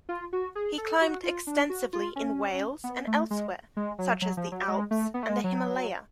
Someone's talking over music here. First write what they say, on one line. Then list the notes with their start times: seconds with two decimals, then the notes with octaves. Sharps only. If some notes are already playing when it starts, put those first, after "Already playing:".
He climbed extensively in Wales and elsewhere, such as the Alps and the Himalaya.
0.09 F4
0.33 F#4
0.55 G#4
0.78 A4
1.01 F#4
1.24 F4
1.47 D4
1.70 F#4
1.93 F4
2.16 C#4
2.84 B3
3.07 A3
3.31 G#3
3.77 G#3
3.99 F#3
4.22 F#3
4.37 F3
4.52 F#3
4.68 G#3
4.91 A3
5.14 B3
5.23 A3
5.29 G#3
5.44 F#3